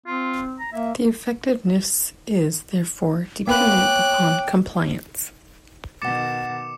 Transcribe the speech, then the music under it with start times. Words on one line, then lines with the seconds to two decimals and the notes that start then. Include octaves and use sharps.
The effectiveness is, therefore, dependent upon compliance.
0.06 C4 F4
0.59 A#5
0.72 A#3 E5
3.47 A#3 B3 B4 C#5 G5 D6 F#6
6.02 B2 D#3 F#5 D6 A6 C#7 E7